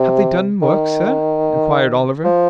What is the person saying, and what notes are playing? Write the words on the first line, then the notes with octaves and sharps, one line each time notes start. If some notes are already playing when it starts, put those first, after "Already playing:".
'Have they done work, sir?' inquired Oliver.
Already playing: C3
D#3
F3